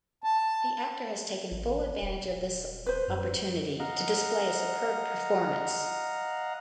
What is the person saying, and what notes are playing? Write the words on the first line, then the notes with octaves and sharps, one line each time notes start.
The actor has taken full advantage of this opportunity to display a superb performance.
A5
A1
D#1
B4 C5
F#2
D#5 F5 F#5 A#5